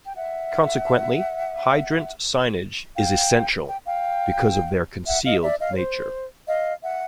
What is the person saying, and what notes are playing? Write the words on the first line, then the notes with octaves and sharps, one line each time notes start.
Consequently, hydrant signage is essential, because of their concealed nature.
G5
E5 F#5
F5 G5
G5
F5 G5
E5 F#5
D#5 F5
D5 E5
D#5 F5
C#5
C5
D#5 F5
E5 F#5